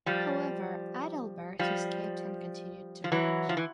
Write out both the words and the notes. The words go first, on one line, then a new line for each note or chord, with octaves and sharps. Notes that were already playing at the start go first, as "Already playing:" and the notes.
However Adalbert escaped and continued to preach.
F3 G3
F3 G3
F3
E3 F#3
F3
E3